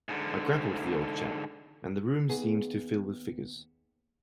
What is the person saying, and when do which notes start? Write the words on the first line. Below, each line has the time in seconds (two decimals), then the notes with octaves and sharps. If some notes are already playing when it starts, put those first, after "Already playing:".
I grappled the old chap, and the room seemed to fill with figures.
0.09 G#2 D3
2.30 D#2 B3 G#4